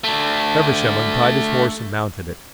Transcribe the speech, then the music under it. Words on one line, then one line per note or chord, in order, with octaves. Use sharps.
Feversham untied his horse and mounted it.
A3 D4